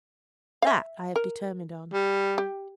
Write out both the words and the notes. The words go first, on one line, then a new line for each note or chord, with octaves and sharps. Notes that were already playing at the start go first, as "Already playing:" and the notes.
That I have determined on.
E5 F5
A#4
G3
G4